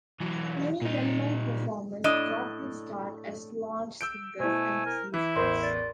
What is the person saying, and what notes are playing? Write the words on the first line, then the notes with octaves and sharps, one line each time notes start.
Many well known performers got their start as lounge singers and musicians.
E3 F#3
A#2 D#4
A2 D4 D#5
E6 G6 D7
B2 A3 E4 C5 G#5
A#4
E3 E4
A1 E2 A#4 C5 C6
D5